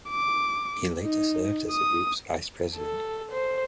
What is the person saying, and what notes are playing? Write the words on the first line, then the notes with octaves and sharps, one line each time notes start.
He later served as the group's vice-president.
D6
D#4
D#6
A4
C5